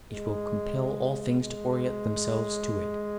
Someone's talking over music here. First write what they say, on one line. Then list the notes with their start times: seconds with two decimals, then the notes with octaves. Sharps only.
It will compel all things to orient themselves to it.
0.12 G#3
1.40 G#3